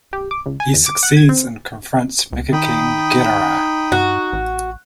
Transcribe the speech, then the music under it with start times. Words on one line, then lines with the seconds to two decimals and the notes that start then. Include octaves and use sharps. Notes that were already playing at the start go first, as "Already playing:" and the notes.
He succeeds, and confronts Mecha-King Ghidorah.
0.13 G4
0.31 D6
0.46 C#2
0.60 G#5
0.74 E2
0.86 D6
1.03 F#5
1.17 G#6
1.29 C4
2.33 C#2
2.53 D#3 D#4 G5 B5 D#6
3.92 G2 F#4
4.33 A1